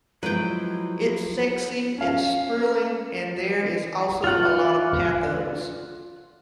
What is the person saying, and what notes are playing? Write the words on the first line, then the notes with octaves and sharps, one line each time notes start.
It's sexy, it's thrilling and there is also a lot of pathos.
F3 F#3 G#3 E4 B4 G5
C#4 F5
F4 F#5